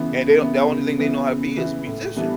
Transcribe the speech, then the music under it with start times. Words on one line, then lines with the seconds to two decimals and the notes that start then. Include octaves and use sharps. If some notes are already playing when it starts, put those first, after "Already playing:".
and they don't the only thing they know how to be is musicians,
Already playing: C#3 E3 B3
0.12 C#3
0.40 E3 B3
0.70 C#3
0.98 E3 B3
1.27 C#3
1.57 E3 B3
1.87 A2
2.16 E3 G3 B3 D4